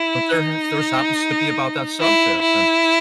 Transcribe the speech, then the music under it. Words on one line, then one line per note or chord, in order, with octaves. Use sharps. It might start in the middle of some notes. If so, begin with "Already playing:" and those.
there has theirs happens to be about that subject, and,
Already playing: E4
D#4
E4
E4